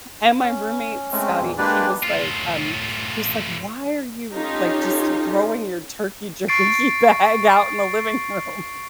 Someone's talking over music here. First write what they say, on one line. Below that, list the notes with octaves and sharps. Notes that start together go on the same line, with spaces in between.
and my roommate, Scotty, he was like, um he was like, "Why are you, like, just throwing your turkey jerky bag out in the living room?"
C#4
G#3 A3 C4 C#4
E2 A#2 E3
G#3 A#3 D4 G4 B4 D5
A2 F4
C#4 D#4 F4 G4 A4
C#6 A6 C7 D7